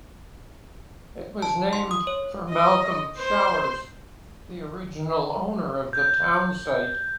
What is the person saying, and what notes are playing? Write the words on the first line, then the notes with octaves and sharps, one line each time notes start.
It was named for Malcolm Showers, the original owner of the town site.
A5
C6
D#6
C#5
D#5
C5
G6